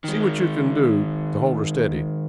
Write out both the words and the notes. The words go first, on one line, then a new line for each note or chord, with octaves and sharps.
See what you can do to hold her steady.
D#3 G#3